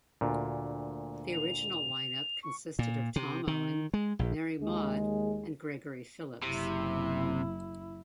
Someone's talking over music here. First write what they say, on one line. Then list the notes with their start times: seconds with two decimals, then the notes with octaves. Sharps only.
The original lineup consisted of Tom Owen, Mary Maude and Gregory Phillips.
0.21 D2 A#2
1.33 F7
2.43 C#6
2.79 A#2
3.16 C3
3.47 D#3
3.94 G#3
4.19 A#1
4.61 D#2 G#3 G#4
6.43 F#1 C3 E4